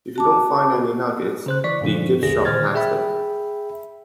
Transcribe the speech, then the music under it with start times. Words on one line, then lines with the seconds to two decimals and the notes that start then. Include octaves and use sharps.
If you don't find any nuggets, the gift shop has them.
0.16 F#4 A5 D6
1.46 C#3 C5 F#6
1.64 E3 D5 C#6 B6
1.81 G2 A#2 D3 F3
2.23 A1 E2 D3 G#4 A#6
2.45 A#2 D#3 C5 F6 G#6 A6
2.75 G#4 E5 G5 B5